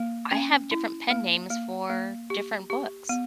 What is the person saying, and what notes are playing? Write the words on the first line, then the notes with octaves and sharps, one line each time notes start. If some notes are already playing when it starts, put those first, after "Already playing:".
I have different pen names for different books.
Already playing: A#3
C#4
E4
A#3
A#3
A#3
G4
G4
B3